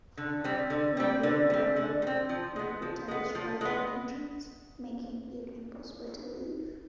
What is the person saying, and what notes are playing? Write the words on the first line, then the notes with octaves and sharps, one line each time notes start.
When they arrived, Makuta destroyed the entrance, making it impossible to leave.
D3
G3 C4
D3
G3 C4
D3
G3 C4
D3
G3
C4
F3
G#3 B3
F3
G#3 B3
F3
G#3 B3